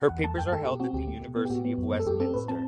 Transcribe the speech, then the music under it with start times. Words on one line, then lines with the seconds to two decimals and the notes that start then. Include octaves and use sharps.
Her papers are held at the University of Westminster.
0.09 E2 F#5
0.24 A3 A5
0.38 F#2 G5
0.52 A3 A4
0.65 B2 G4
0.80 C4 F#4
0.93 D2 G4
1.08 A3
1.23 B2
1.36 B3
1.45 G4
1.50 A2 F#4
1.65 B3
1.78 F#2
1.93 A3
1.99 A4
2.06 F#2 G4
2.20 C4 A4
2.34 A2 B4
2.48 C4 A5